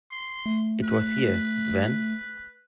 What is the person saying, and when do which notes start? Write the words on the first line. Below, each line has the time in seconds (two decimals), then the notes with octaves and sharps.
It was here, then?
0.12 C6
0.46 A3
0.84 B4